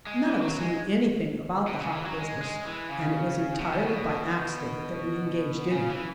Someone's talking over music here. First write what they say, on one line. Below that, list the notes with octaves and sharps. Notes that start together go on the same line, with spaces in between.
None of us knew anything about the hop business, and it was entirely by accident that we engaged in it.
G#3
E3
F#3
G#3
B2
C#3
E3
F#3
G#3
G#3
E3
C#3
B2
C#3
B2
C#3
E3